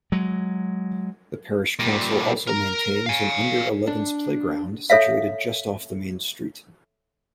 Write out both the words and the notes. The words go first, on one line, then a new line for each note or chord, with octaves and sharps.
The parish council also maintains an under-elevens playground, situated just off the main street.
F#3 G#3
A#2 G3
A#4 A#5
F5 G#5
D4
A4 C#5 E5 F5